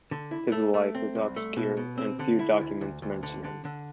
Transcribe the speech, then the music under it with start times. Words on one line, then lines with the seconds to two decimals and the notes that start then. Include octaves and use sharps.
His life is obscure and few documents mention him.
0.11 D3
0.31 E4
0.52 A3
0.74 A3
0.95 C4
1.15 C2
1.36 A3
1.56 B2
1.77 B2
1.98 C4
2.19 D3
2.39 E4
2.61 D2
2.81 D2
3.02 D2
3.23 D3
3.44 D3
3.65 D3